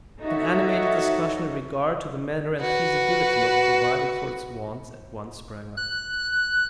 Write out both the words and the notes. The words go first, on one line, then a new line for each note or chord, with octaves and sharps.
But an animated discussion in regard to the manner and feasibility of providing for its wants at once sprang up.
D#4 F#4 A4 C#5 E5
F#4 B4
F#6